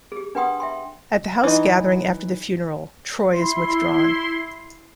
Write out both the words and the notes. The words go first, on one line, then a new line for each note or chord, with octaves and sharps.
At the house gathering after the funeral, Troy is withdrawn.
G4 G#4
D4 B4 F#5 G5 C6 D#6
E5 G5 C6
E3 D#4
E4 C6